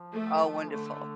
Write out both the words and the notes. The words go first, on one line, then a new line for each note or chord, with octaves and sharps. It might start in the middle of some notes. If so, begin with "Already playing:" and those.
Oh, wonderful.
Already playing: F3
A3
F3
D3 A3